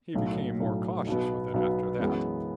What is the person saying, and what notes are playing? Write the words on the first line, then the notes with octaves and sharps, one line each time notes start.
He became more cautious with it after that.
B1 A2 F#3
B1 A2 F#3
B1 B2 F#3 B3
B1 B2 F#3 B3
F#2 E3 G#3 B3